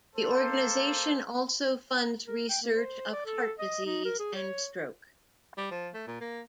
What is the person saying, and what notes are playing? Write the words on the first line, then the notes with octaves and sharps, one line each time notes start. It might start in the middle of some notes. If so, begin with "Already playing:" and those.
The organization also funds research of heart disease and stroke.
A#3 A4 C5
A#4
G5
A#3
C5
D5
A4
D#5
D#4
A#4
G#4
C#5
G3
F3
A3
A#2
A#3